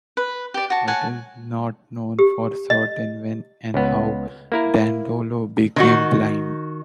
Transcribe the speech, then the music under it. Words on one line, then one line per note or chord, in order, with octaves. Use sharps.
It is not known for certain when and how Dandolo became blind.
B4
G4 D5
F#4 A5
C#5 F#5 G#5 A5
G4
D#5
C#2 B3
A#3 E4 A#4
D#3 D#4 F#4